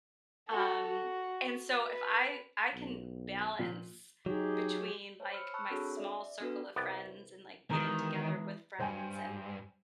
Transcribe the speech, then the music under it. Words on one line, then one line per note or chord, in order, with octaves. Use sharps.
Um, and so if I I can balance between, like, my small circle of friends and, like, getting together with friends and
F#4 A4
F#4
B4
B1
A#2 F3
F#3 D#4 G4 G#4
C5 C#5
B5 E6 F6 C#7
A5 B5 C#6 E6 F#6
C4 D4 F#4 G#4 A4 C#5
D5 E5
B3 D4 F#4 A4 B4
C2 B3 D5
D#3 E3 G#3 A#5 D#6
C#2 G2 C5 G5 G#5